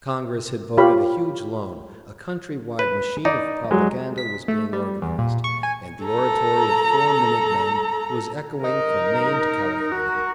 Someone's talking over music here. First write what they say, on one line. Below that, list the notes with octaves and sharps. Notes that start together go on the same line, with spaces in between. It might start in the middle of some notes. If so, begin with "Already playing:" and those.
Congress had voted a huge loan, a country-wide machine of propaganda was being organized, and the oratory of Four Minute Men was echoing from Maine to California.
F4 G4 C#5 F5 B5
B4
D#4 D5
F#3 G#3
B6
A3
G3
E2
A#2
C#6
G#5
A4 A#5
D#4 A#4
F#4